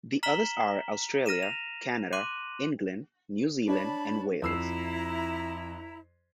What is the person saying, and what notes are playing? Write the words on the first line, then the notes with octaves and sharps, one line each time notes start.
The others are Australia, Canada, England, New Zealand and Wales.
A#5 F6 B6 E7 F#7 G7
F6 A#6 D#7 E7
F7
C6 D6 F#6 D#7 F#7
D4 C#5 A5 B5
F2 E4 A#5 E6 C7